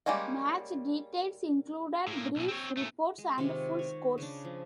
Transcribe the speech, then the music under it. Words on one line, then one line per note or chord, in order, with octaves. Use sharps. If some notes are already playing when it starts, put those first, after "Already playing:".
Match details included brief reports and full scores.
G3 G#3 A#3 C#4 F#5
A2 A#3
B1 B2
C4 C#5
A#2 A3
G#3
C3 D#3 F4 C#5
C#5
C#3 D4
F3